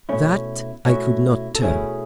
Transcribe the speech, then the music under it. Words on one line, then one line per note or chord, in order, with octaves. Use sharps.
That I could not tell.
B2 A3 C#4 E4
B2 A3 C#4 E4 F#4
A4
B2 A3 C#4 E4 G#4